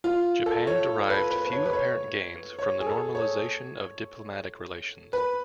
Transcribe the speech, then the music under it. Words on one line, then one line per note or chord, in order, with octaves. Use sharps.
Japan derived few apparent gains from the normalization of diplomatic relations.
F4
A4
C#5
B4
B4
B4
C#5
B4
C#5
C#5
G#4
A4
C#5
B4